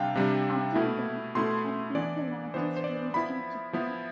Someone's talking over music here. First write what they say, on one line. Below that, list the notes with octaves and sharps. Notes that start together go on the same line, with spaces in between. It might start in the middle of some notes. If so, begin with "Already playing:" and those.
Until then it had been the largest village in Japan.
Already playing: C3 G3 D4 F5 G5
C3 G3 D4
B2 A3 E4
B2 A3 E4 C6
E3 B3 D4 D5
E3 B3 D4 C5
C5
D5
F3 B3 E4 B5
F3 B3 E4